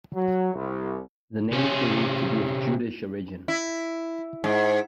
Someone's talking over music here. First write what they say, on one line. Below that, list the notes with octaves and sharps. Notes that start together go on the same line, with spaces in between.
The name is believed to be of Jutish origin.
F#3
C2
C3 C#4
E4
G#2